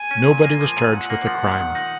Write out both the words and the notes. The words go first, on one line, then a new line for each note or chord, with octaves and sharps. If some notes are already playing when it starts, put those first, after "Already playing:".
Nobody was charged with a crime.
Already playing: G#5
C#4
A#2
A#3
F3
A#2
A#2 F#5
A#3
F3
A#2
D#3
D#4